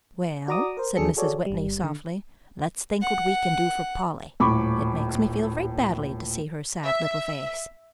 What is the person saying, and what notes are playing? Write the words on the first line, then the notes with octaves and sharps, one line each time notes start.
"Well," said Mrs. Whitney, softly, "let's think what we can do for Polly; it makes me feel very badly to see her sad little face."
F#4 D5 A#5 D6 D#6
A#4 C5
D#2 F#3 D4 G#4 A4 C#7
F#4 G#4 A4 C#5 D5
G1 G3
D3
F#5
D#1 A2 B5 C#6 D6
E5